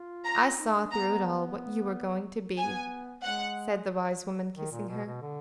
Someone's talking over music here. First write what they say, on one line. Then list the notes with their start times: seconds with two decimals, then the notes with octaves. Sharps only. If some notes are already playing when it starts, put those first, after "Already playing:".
"I saw, through it all, what you were going to be," said the wise woman, kissing her.
Already playing: F4
0.25 A#5
0.58 D#4
0.75 D4
0.91 B3 A#5
1.08 B3
2.56 B3 G#5
3.23 G#3 F#5
4.56 D#3
4.72 A#2
4.89 B2
5.05 B2
5.22 D3